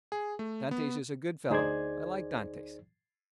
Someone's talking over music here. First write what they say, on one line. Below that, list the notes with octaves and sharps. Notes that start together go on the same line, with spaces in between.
Dantes is a good fellow; I like Dantes.
G#4
A3
B3
D2 D#4 G#4 C5 D5 G#6